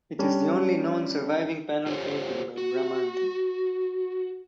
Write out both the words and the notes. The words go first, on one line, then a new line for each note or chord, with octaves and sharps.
It is the only known surviving panel painting by Bramante.
G3 C#4 D4
F4 G4 A4 C5 C#5
F#4